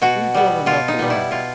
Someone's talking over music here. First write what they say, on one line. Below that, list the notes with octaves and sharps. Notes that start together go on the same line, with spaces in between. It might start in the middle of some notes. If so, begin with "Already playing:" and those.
Leave well enough alone.
B2 F#4
G3 B3
B2 F4
D#4
G3 B3
E4
B2 F4